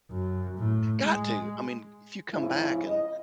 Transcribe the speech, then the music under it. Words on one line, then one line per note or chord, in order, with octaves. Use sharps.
Got to. I mean, if you come back and,
F#2
A2
G#3
F2 G#2 C#3 F3 E4
D#5